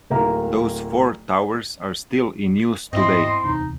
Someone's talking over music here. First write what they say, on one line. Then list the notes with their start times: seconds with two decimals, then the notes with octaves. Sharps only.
Those four towers are still in use today.
0.10 D1 A#3 E5 A#5
2.93 G#2 B3 C4 E4 D#5 C6
3.44 D1 E2 C3 D#4